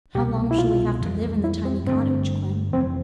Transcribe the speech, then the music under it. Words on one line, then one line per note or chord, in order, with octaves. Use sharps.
"How long shall we have to live in the tiny cottage, Clym?"
C2 B2 B3 G4
E4
F4
F2 E3 G3
E4
C4
G2 D3 A3 C4 D4
F1 F2 E3 C4